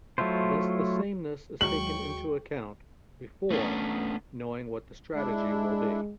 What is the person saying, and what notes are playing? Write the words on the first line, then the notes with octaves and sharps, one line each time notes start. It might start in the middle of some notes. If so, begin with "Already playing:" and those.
Thus the sameness is taken into account "before" knowing what the strategy will be.
F#3 A3 E4 F4 C5
D#2 F#3 G#3 G5 C#6 F#7
A3 B3 C#4 D4
G#3 D4 E4